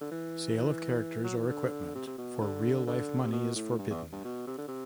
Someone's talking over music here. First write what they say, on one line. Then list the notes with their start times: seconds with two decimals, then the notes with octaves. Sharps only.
Sale of characters or equipment for real life money is forbidden.
0.01 D3
0.11 E3
0.57 E3
1.24 F#3
1.37 E3
1.49 D3
1.95 C3
2.07 C3
2.18 B2
2.41 D3
2.86 D3
3.22 C3
3.32 B2
3.55 A2
3.78 G2
3.90 E2
4.12 G2
4.24 B2
4.47 C3
4.57 D3
4.68 C3